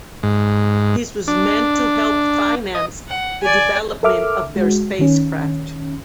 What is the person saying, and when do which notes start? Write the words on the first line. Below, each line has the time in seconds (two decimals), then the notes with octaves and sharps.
This was meant to help finance the development of their spacecraft.
0.23 G#2
1.28 D4
2.75 D#5
3.08 F#5
3.43 D5 G#5
4.03 A4 A#4 E5 D6 F6
4.56 G#3 F#4
4.99 D#3 C#4